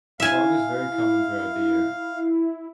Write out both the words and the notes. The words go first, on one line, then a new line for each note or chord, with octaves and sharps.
Fog is very common throughout the year.
E4 E5 F5 G#5